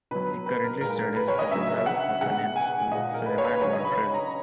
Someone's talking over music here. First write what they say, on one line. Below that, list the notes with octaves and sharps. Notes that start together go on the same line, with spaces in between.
He currently studies at the Mel Hoppenheim School of Cinema in Montreal.
B2 F#3 B4
B4
A#4
A#2 G#3 A#4
B4
C#5
D#5
C#3 F#3 E5
F#5
B2 G#3 F#5
G#5
A#2 G#3 D#5
A#4
B4
C#5
B4
C#3 F#3 C#5
D#5
B5
B5
A#5